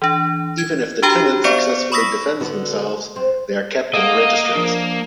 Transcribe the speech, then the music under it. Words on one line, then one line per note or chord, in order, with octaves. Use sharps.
Even if the tenant successfully defends themselves, they are kept in the registries.
E3 D4
G#6
D4 F#4 G4 G5 A#5
B3 C5 D5 F5 C#6 C#7
B5 C#6 D#6 E6 A#6 B6
D3 B3 F#4
C4
A#3 A4 D#5 F5 F#5
F3 D4 A#4